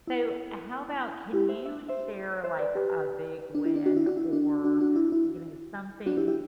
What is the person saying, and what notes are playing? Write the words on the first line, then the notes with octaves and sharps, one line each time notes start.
So, how about can you share, like, a big win or, you know, something
E4
E4 G4
C5 E5
E5
C5 E5
C5 E5
B4 D5
G4 B4
D4
E4
D4
D4 F#4
E4
D4 F#4
E4
D4
D4 F#4
D4 F#4
E4
E4
D4 F#4
E4 G4
E4 G4